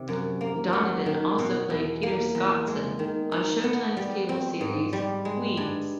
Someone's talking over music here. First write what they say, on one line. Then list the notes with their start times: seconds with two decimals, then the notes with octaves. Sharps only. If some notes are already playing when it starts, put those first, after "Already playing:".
Donovan also played Peter Scottson on Showtime's cable series "Weeds".
Already playing: C3 D#3
0.08 F#2
0.41 A#3
0.73 F#3
1.06 D#3
1.39 B2
1.70 E2
2.03 A#3
2.35 E2
2.67 G#3
2.99 D#3
3.32 D#4
3.64 B3
3.97 G3
4.29 C4
4.61 G#2
4.93 G3
5.25 G#3
5.57 G2